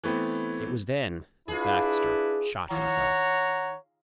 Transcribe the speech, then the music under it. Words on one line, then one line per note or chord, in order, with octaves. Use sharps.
It was then that Baxter shot himself.
E3 A3 B3 C4
D4 E4 F4 G#4 B4
D#3 C#5 F#5 A#5